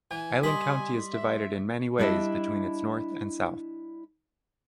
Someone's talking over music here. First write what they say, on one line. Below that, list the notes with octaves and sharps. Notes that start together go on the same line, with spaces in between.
Island County is divided in many ways between its north and south.
E3 G#5
G3 D#5 G#5 B5 C6 B6
E5
G3 D4 E4 D#5 E5